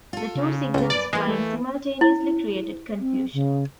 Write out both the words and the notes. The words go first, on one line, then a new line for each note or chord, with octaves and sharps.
The two signals flying simultaneously created confusion.
F4 A4
C#3
C#2 A3 B3
F#2 B4 D5
E3 G#3 A#3
A3
E4
C4
C#3